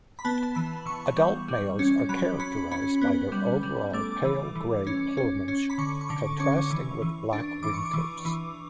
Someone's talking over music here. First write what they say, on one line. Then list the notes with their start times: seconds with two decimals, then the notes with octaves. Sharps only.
Adult males are characterized by their overall pale grey plumage contrasting with black wingtips.
0.19 B5
0.25 B3 A5
0.55 E3 B5
0.86 E3 C#6
1.16 G3
1.48 G3
1.79 C#4
2.09 F#3 B5
2.40 C#4 B5
2.71 C#4 B5
3.02 B3
3.32 G3
3.63 G3
3.93 A3 D6
4.25 E3
4.55 E3
4.87 C#4
5.17 C#4
5.48 C#4
5.70 B5
5.78 D3 C#6
6.01 C#6
6.09 D3 D6
6.40 C#4 C#6
6.71 E3
7.02 E3
7.33 D4
7.63 E3 D6
7.74 C#6
7.85 D6
7.93 E3
8.25 E3